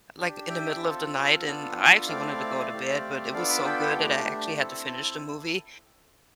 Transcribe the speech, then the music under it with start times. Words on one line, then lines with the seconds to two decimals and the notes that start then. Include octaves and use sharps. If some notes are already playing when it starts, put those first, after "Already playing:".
like, in the middle of the night and I actually wanted to go to bed but it was so good that I actually had to finish the movie
0.18 D4 G4
0.49 E5 G5
0.81 C4 F4 A4
1.44 B3 D4 F4 A4
2.07 A3 C4 E4 D5 F5
2.70 A3 C4 G4
3.33 B3 D4 F4 A4 D5 F5
3.49 B5 D6
3.65 G5 B5
3.81 G5 B5
3.96 A3 D4 G4
4.59 C4 E4 A4